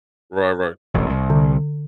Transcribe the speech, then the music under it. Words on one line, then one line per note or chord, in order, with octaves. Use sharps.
Right, right.
E1 A1
C2
D3